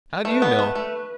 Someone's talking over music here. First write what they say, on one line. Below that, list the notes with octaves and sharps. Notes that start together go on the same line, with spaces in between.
How do you know?
A3 B4
B3
A3
A3